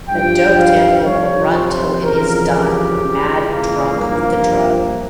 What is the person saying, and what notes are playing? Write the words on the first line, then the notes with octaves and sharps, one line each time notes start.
A doped animal will run till it is done, mad drunk with the drug.
G2 F3 G5
F5
F2 C3 F3 C#5
C5
F2 C#3 E3 A#4
G4
C#2 C#3 E3
A#3
G2 F3 A#3